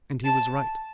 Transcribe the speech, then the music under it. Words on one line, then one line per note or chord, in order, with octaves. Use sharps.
And he was right.
A5